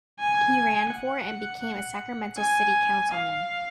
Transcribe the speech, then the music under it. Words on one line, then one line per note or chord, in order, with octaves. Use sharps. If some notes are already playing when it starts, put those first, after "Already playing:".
He ran for and became a Sacramento city councilman.
G#5
F#5
G#5
F5